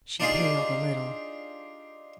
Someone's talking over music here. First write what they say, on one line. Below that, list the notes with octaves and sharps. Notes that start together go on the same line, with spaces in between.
She paled a little.
D4 D#4 F4 G4 G#4